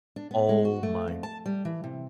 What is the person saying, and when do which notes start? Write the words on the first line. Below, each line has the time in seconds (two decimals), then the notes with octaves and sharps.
Oh my
0.16 D4
0.31 B3
0.49 G#3
0.65 F#4
0.83 A3
1.08 F2
1.23 A5
1.46 G3
1.65 E3
1.84 C3